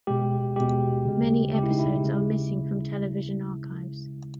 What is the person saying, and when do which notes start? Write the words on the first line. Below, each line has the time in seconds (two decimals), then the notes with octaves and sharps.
Many episodes are missing from television archives.
0.07 B2 G#3 G4
0.56 B2 G#3 G4
1.05 C#3 G#3
1.55 C#3 G#3 G4
1.63 E4
1.71 D#4
1.79 E4
2.04 C#3 G#3